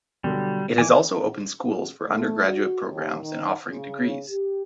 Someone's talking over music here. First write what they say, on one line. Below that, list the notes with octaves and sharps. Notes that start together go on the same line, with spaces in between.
It has also opened schools for under graduate programs and offering degrees.
B2 D3 F#3 G3
D#3 E3 G#5 D6
A3
F#4
D#2
D#3
C#3
G4